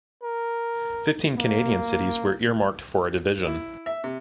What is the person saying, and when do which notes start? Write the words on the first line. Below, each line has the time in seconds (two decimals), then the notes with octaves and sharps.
Fifteen Canadian cities were earmarked for a division.
0.23 A#4
1.38 A#3
3.47 E4
3.86 E5
4.04 C3